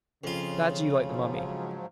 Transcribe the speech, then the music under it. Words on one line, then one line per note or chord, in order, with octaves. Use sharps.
Glad you like the mummy.
F2 C#3 F4
G#2 F3 F#3